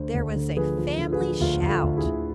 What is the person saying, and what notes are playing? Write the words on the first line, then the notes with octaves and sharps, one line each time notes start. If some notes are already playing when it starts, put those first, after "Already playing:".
There was a family shout.
Already playing: D2 D3 C5
D2
D3
F3 G#4 B4
F3
D3
G#4 B4
F3
D2 F4 A4
D2
F4 A4
D2
E4 G#4
D2